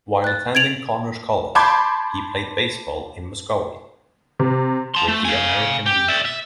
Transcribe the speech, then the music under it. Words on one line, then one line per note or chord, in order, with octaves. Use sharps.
While attending Connors College, he played baseball in Muskogee with the American Legion.
F#6 A6
G#6 A6 D7 F7 F#7
A5 B5 C6 D6 G6 G#6
C3
A5 C6
A3
F5 G#5
G4
D5 E5
E5